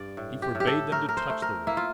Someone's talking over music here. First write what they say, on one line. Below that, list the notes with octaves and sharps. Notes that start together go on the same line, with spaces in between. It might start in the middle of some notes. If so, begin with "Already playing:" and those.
He forbade them to touch the wolf.
Already playing: G2 D5
A2
G4
A2
G4
A4
A3 A#4
A#4
C5
A3
A#4
A#3 E4
F4